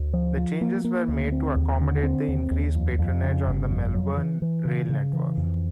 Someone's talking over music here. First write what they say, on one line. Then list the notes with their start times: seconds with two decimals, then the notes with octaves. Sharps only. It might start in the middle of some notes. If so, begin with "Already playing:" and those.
The changes were made to accommodate the increased patronage on the Melbourne rail network.
Already playing: D2
0.13 F3
0.37 F3
0.61 A#3
0.84 A#3
1.08 D2
1.32 C4
1.56 D#2
1.81 D3
2.03 C4
2.28 D#2
2.51 D#2
2.75 F2
2.99 F2
3.23 C#3
3.47 G1
3.70 F2
3.94 F#3
4.17 E3
4.42 E3
4.65 C#3
4.89 C#3
5.13 E3
5.37 F2